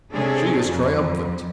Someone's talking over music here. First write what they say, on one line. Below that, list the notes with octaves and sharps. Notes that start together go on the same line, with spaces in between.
She is triumphant.
C3 C#4 D4 G#4 A4
F2